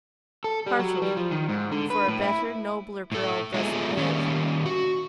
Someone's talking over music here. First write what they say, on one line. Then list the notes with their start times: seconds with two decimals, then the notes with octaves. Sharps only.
'Heartily; for a better, nobler girl doesn't live.
0.44 A4
0.66 G3
0.79 F#3
1.02 G3
1.17 F3
1.31 D#3
1.49 G#2
1.72 D3
1.90 B4
2.08 A2
2.21 E4
3.12 A2 A4
3.54 G#3 A3 B3 D#4 F4 G#4
3.97 D#3 G3 A#3 C#4
4.65 F#4